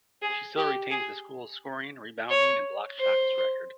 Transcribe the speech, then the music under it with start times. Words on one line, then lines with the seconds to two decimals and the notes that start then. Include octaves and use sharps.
She still retains the schools scoring, rebounding and blocked shots record.
0.22 G#4
0.57 G4
0.90 G#4
2.30 C#5
2.99 C5